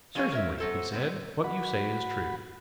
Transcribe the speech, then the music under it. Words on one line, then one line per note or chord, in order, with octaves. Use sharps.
Certainly, he said, what you say is true.
F3 C#4 G#4 A4 C#5 F5
A#4 C#5 E5
F#3 A4 C5
B3 C4 B4
F#4 F#5 B5